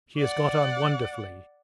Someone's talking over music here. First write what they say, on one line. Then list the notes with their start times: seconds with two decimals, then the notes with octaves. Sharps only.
She has got on wonderfully.
0.17 D5 F#5